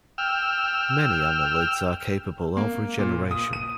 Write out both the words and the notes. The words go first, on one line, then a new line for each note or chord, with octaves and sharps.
Many annelids are capable of regeneration.
G5 E6 F6
A#3
A#2
D#6
D#7